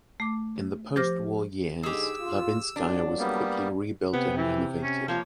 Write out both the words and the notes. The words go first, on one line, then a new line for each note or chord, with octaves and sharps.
In the post-war years, Labinskaya was quickly rebuilt and renovated.
A3 D6
F3 G4 C5 D6 F6 A#6
G#2 D3 G#3 G4 G#4 E6
F4
F2 F#3 D4
G3 A#3 B3
C3 B3
E3
C#4
F3 A#3 C#5